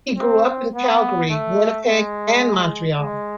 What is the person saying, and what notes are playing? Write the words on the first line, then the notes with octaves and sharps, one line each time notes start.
He grew up in Calgary, Winnipeg, and Montreal.
C4
B3
A3
G#3
G#3